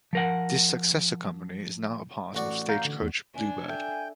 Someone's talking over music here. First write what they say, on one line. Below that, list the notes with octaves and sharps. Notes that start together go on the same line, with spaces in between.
This successor company is now a part of Stagecoach Bluebird.
F3 A#4 F#5
A1 F#4 D5
F5 A#5 G6
D3
E2 G#3
E2 D4 G#5
A4 E5 G5